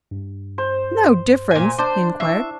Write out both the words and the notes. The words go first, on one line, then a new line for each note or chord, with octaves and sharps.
"No difference?" he inquired.
G2
C5
A#2 G#5
D4 C5
E4 E5 C#6 C7